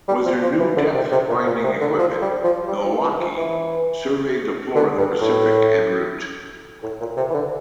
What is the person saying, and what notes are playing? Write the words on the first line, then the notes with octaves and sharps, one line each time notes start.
With her new depth-finding equipment, "Milwaukee" surveyed the floor of the Pacific en route.
G3
F3
F3
E3
D3
C3
C3
A#2
A#2
C3
D3
F3
G3
F3
G3
F3
E3
F3
E3
D3
G2
A2
A2
A#2
C3
E3
D3